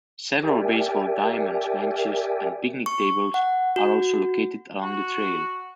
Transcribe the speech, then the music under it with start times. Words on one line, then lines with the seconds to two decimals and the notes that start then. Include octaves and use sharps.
Several baseball diamonds, benches and picnic tables are also located along the trail.
0.43 G4 A#4 D5 E5 G5 G#5
2.86 C#6
3.34 F#5
3.76 F#4
4.83 F#4